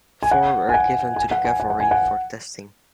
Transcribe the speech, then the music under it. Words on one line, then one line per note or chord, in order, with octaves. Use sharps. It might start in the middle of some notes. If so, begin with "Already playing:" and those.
Four were given to the cavalry for testing.
G#5
F#5
G#5
F#5
G#5
F#5
G#5
F#5
F#5
G#5
F#5